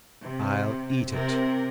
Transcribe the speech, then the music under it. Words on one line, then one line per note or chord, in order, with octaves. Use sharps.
"I'll eat it."
C3
C3 A#4